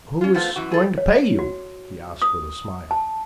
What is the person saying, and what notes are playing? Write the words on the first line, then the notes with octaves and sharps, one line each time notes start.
"Who is going to pay you?" he asked with a smile.
C#4 F4
F3 A3 B3 F4 C5
F#2 E3 F#4
G#4 A4
C#5
F#4
D#6
A5